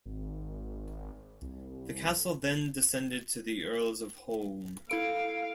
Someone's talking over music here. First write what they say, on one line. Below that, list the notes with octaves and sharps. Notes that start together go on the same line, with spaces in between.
The castle then descended to the Earls of Home.
G#1
C2
E4 A4 F5 D7